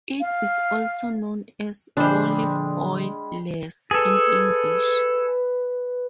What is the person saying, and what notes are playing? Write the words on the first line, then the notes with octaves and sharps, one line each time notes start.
It is also known as "olive oil lees" in English.
F5
A#2 D3 F3 G3 G#3 D4 C5
G#4 A4 B4